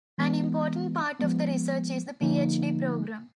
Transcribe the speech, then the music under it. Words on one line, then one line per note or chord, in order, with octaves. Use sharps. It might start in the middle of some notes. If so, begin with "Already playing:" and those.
An important part of the research is the PhD program.
E3 G#3 B3
F3 G#3 B3
D3 F3 A#3 D#4